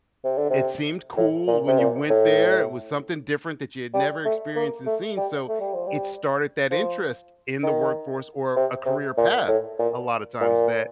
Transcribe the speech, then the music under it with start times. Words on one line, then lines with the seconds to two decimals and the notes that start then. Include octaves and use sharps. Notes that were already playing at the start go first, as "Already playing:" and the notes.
it seemed cool when you went there, it was something different that you'd never experienced and seen, so it started that interest in the workforce or a career path a lotta times that
0.25 C3
0.38 D3
0.50 C3
1.17 A2
1.48 A#2
1.68 C3
1.78 A#2
2.10 A2
3.94 G3
4.25 A3
4.55 A#3
4.86 A3
5.17 G3
5.48 A3
5.60 G3
5.74 F3
5.87 G3
6.71 F3
7.63 D#3
8.56 C3
8.86 C3
9.18 A#2
9.47 A2
9.79 A#2
10.41 A#2